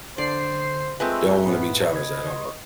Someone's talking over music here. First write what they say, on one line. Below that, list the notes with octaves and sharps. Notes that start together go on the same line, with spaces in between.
Don't wanna be challenged at all.
D3 C5 D5 C7
G#3 A3 C4 F4 B4 G6
F#2 A2 B3
C#3 D#5 G#6